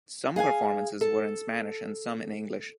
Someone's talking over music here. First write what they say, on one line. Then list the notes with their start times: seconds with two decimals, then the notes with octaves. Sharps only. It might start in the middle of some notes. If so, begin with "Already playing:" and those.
Some performances were in Spanish and some in English.
0.36 G#4 F5 F#5 G#5
1.01 A4